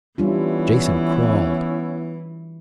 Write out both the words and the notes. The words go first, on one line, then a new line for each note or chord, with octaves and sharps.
Jason crawled.
E3 G3 B3 C#4 D4 E4 F4